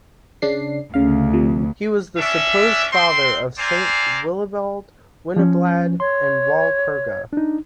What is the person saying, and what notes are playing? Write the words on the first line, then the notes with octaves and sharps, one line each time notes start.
He was the supposed father of Saints Willibald, Winiblad and Walpurga.
C#3 D4 C7
D2 C#3 F5
C3 F3
C#4 D4 E5
C4 C6
C4 C5 D5 F5 G#5 A#5
F3 C#4
C#5 C6
D4 D#4